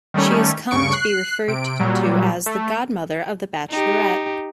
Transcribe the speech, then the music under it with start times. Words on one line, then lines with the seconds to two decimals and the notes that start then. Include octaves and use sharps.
She has come to be referred to as the "Godmother" of the Bachelorette.
0.14 D#3 G3 A3 C#4
0.71 D2 G2 C#3 C#6 D7
0.93 F#6 C7
1.48 C3 D7
1.79 A#2 F#3 G3
2.46 A3
3.70 D#4 G4